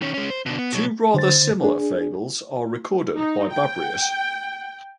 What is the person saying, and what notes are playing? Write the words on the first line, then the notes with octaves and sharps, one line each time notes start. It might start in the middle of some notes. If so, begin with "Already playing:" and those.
Two rather similar fables are recorded by Babrius.
D#3 C#4
G#3 C#4
C5
B2 D3
B3
B2 F#3
D3 C5 A6
D4 G#4
D#4
G5